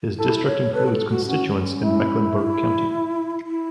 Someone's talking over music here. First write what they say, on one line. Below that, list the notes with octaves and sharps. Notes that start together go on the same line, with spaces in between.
His district includes constituents in Mecklenburg County.
E4 A4
C#5
A4 B4
F#4
A4
F#4
E4
C#4 F#4
E4
E4
E4